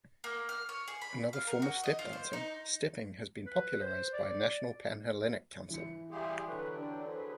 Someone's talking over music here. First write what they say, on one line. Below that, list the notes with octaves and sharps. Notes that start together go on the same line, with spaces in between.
Another form of step dancing, Stepping, has been popularized by National Pan-Hellenic Council.
A#3
F6
C#5
G#4
B5
F5
A#4
F#4
D#5
F4
C5
D#4
B4
C5
D5
E3 C#7
G3 G4 G#4 E5 F5 C6
D3 F#3 B4 C#6 F#6
D4 G4 G5
G#4 B4 C5